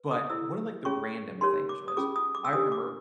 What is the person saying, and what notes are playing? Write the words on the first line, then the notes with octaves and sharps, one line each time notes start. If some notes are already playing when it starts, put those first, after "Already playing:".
but one of, like, the random things was I remember
Already playing: B4
D#6
E4 A4 C5 E6
C#4 F4 G#4 C#5 C#6
D#4 G4 A#4 C#5 C6
D6
D#6
C#4 F4 G#4 D6
D#6
D6
E6
D4 G4 C5 D#6
D6